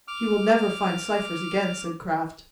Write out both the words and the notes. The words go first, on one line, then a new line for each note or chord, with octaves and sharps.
"He will never find Cypher's again," said Kraft.
D6 F6